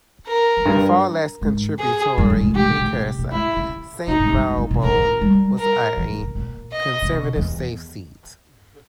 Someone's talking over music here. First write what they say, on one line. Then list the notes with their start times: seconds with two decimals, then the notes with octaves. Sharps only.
The far less contributory precursor, Saint Marylebone, was a Conservative safe seat.
0.27 A#4
0.57 E2
0.65 G2
1.41 G#2
1.79 G#4
2.18 G2
2.30 G2
2.43 G#2
2.55 G#2 G4
2.67 A#2
2.81 G#2
2.93 C#3
3.05 B2
3.18 A#2
3.31 G#2 E4
3.56 C#3
4.07 B2 D#4
4.20 G#2
4.33 G2
4.45 G#2
4.58 A#2
4.71 B2
4.83 C#3 A#4
4.96 D#3
5.21 G3
5.58 A#4
5.97 E3
6.10 D#3
6.22 B2
6.35 A#2
6.73 D#5
7.02 C#3
7.10 B2
7.36 E2